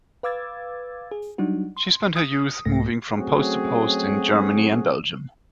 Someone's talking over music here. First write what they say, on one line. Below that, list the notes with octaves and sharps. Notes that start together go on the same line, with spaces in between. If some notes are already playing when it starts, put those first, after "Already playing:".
She spent her youth moving from post to post in Germany and Belgium.
B4 F5 D6 E6 G#6 A6
G#4
F#3 G3 D4 D#4 F#4
C6
D#6
C2 G#2 A3 A#6
F#3 A3 C4 C#4 F#4 G#4